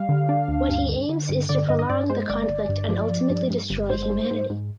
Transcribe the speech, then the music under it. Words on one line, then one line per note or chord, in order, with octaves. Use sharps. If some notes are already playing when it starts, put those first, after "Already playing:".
What he aims is to prolong the conflict and ultimately destroy humanity.
Already playing: G3 F5
D3
D4
D2
G2
D3
D3
G2
D3 D5
G2 D#5
D#5
G2 D5
G#3 C5
G1 D5
G1
G2
F3
F3
G2
G2
G1
G#2 C5
G#2
G#2
G#2